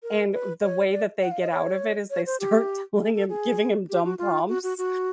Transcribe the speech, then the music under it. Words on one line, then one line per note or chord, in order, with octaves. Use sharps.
and the way that they get out of it is they start telling him giving him dumb prompts,
A#4
B4
C#5
D5
F#5
F5
D#5
C#5
C#5
C5
G4
G#4
A4
G#4
G4
F#4
F4
F#4
F#4
F#4